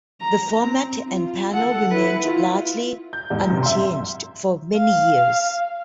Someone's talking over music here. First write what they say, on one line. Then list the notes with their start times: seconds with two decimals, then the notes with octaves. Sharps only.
The format and panel remained largely unchanged for many years.
0.21 A#5
0.63 C4
1.09 F4
1.53 A4 F#5
1.91 E4 B4
2.24 E4 F4
3.13 G6
3.30 E2 G#2
3.50 F#2 C3
3.63 E5 C6
4.76 F5